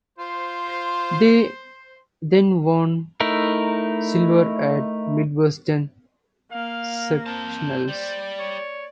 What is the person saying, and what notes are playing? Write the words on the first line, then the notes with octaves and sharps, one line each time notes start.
They then won silver at Midwestern Sectionals.
F4 C5
A3 D#4 E4 A#4
A#3 F5
C4 C5 A5
G3 D5
C#5